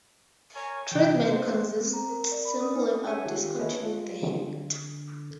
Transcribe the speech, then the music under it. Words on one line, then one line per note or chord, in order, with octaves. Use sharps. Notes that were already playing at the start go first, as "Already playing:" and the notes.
Treatment consists simply of discontinuing the habit.
A#4 C#5 G#5
C3 E3 G5
G#4 B4 C5 D#5
C4
A#5
A#4
D5
B5
D#6
D#4
C#4 G#4 C#5 E5 F#5 G#5
D#3 F4 G4
G#4 A4 B4 C#5 D#5 E5
F4
D3